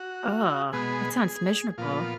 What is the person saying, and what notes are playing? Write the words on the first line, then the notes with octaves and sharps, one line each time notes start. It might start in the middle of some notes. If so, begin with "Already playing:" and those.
Ugh, that sounds miserable.
Already playing: F#4
B2 G#3 B3 G#4
A#2 F3 B3 F4